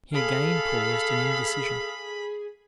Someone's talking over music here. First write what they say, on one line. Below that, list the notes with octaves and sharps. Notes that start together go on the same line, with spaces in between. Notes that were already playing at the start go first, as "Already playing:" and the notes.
He again paused in indecision.
G#4 A4 F5 B5